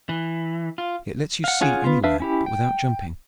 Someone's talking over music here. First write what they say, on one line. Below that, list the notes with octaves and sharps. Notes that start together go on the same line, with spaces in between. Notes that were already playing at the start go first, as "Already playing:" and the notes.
It lets you see anywhere, but without jumping.
E3
F4
F5 F#5
C#4 F4 G#4 F#5 G#5
B3 F4
D4 B4 E5 F5 E6
C#4 E4 G4
G5